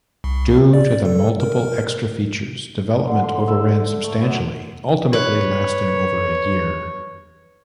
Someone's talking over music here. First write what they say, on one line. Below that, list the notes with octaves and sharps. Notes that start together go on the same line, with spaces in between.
Due to the multiple extra features, development overran substantially, ultimately lasting over a year.
C2
D5
A4
A#4
D3
C6
E5
A3
F#2
B4 C#5